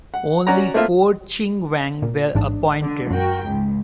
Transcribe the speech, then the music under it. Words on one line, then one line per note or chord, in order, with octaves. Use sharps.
Only four "chinwang" were appointed.
F#5
C#4 F#4 D5 A#5
A3 A#3 C4 F4 E5
A#2
A1 G#2 D4
D3
F#2 F#4 A#4 G5
C#2 G#2